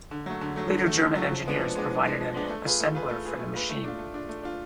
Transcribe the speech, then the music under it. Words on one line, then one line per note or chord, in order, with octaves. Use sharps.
Later German engineers provided an assembler for the machine.
D3
F#3 A3
D3
F#3 A3
D3
F#3 A3
D3
F#3 A3
F3
G#3 B3 D4
F3
G#3 B3 D4
F3
G#3 B3 D4
F3
G#3 B3 D4
A3
F4 G#4 B4
A3
F4 G#4 B4
A3
F4 G#4 B4
A3
F4 G#4 B4
A3
D4 F4
A3
D4 F4
A3
D4 F4